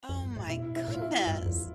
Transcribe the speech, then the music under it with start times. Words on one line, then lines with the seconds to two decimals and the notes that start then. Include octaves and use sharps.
Oh my goodness.
0.09 F2
0.23 G2
0.36 A2
0.50 B2 E4
0.76 E4
0.88 A2
0.94 F4
1.02 E4
1.27 G2
1.40 E2
1.46 F2